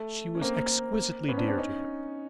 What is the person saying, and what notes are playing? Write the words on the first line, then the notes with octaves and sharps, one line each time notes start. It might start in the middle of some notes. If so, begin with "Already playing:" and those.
She was exquisitely dear to him.
Already playing: A3
C#4
A#3 C4
A#3 C4
B3 C#4
C4 D4
C4 D4
C#4 D#4